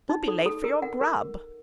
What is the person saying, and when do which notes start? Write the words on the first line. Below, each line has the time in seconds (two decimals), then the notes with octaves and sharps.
You'll be late for your grub!'
0.09 D#4
0.28 A4
0.46 A4
0.64 A#4
0.82 F#5
1.01 A#4